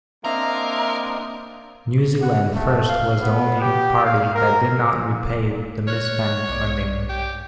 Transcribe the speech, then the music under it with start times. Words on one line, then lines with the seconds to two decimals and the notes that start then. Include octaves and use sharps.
New Zealand First was the only party that did not repay the misspent funding.
0.24 A#3 C4 D4 A#4 D#5 E5
2.21 F#5
2.54 A3
2.88 F5
3.21 B3
3.61 G4
4.04 F5
4.34 A#4
5.87 C#5 F6 F#6
6.49 B1 D5
7.09 G4